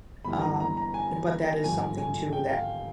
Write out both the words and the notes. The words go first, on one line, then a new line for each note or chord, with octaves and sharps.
um, uh, but that is something, too,
G1 G2 E3 B5
A#5
A#5
A#5
G#5
G#1 G2 D3 F3 G#5
G#5
G5
F5